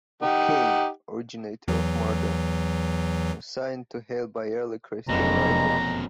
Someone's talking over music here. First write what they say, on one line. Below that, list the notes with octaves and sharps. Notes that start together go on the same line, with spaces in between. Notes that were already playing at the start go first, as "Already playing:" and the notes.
Of "Cain", originator of murder, consigned to Hell by early Christian writers.
D#4 G4 F#5
E2 E3 F#3
F1 F#2 B2 G3 G#3 A#3 A#5